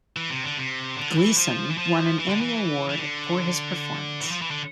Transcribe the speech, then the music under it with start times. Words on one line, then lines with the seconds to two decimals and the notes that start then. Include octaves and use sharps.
Gleeson won an Emmy Award for his performance.
0.17 E3
0.30 C3
0.44 D3
0.57 C3
0.97 D3
1.18 E3
1.38 F3
1.71 E3
1.78 F3
2.19 E3
2.29 D3
2.41 E3
2.89 E3
2.99 D3
4.21 E3
4.31 F3
4.42 E3
4.51 D3